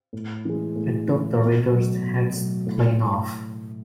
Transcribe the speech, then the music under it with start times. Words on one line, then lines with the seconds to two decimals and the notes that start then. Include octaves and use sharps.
It took the readers' heads clean off.
0.13 A2
0.45 E3 G#3
0.76 A2
1.08 E3 G#3
1.40 B2
1.71 F#3 A3
2.03 B2
2.34 F#3 A3
2.67 A2